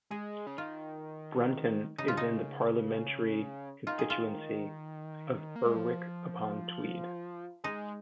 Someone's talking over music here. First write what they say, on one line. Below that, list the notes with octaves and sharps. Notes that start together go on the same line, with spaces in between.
Brunton is in the parliamentary constituency of Berwick-upon-Tweed.
G#3 G#4
C#3
D#3 F4
C#3 D#4
F4
D#4
D#3 F4
G#4
F4
A#3
G#3
F3
G#3 D#4